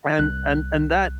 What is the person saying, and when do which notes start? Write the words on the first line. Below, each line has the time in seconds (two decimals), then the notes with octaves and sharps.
and and and that
0.19 C2 F#6